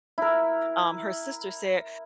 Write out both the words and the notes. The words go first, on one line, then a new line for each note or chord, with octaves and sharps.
um, her sister said,
E4 A#4